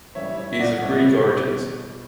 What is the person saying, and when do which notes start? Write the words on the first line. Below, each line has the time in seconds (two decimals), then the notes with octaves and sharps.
He is of Greek origins.
0.15 F#2 E3 G3 C#5 E5
0.37 C#5 E5
0.60 D5 F#5
0.82 C#2 B2 G3 C#5 E5